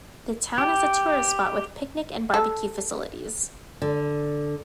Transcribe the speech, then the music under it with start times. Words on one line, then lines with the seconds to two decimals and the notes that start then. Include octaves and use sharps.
The town is a tourist spot with picnic and barbecue facilities.
0.58 G4
2.34 A4
3.82 D3